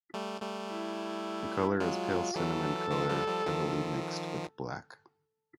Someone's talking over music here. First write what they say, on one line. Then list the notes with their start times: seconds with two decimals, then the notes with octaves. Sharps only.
The color is pale cinnamon color heavily mixed with black.
0.14 G3 A3
0.42 G3 A3
0.70 E4
1.80 F#3 G#3 F4
2.35 E3 F#3 A4
2.91 D#3 F3
3.09 F3 G3
3.28 F3 G3
3.46 D#3 F3